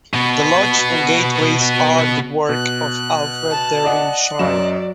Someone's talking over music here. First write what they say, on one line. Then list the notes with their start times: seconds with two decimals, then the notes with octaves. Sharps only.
The lodge and gateways are the work of Alfred Darbyshire.
0.14 B2 B3
2.49 B2 F#6
3.51 A5
3.84 D5 D#5 F#5
4.39 F#2 F#3 D5 D#5 E7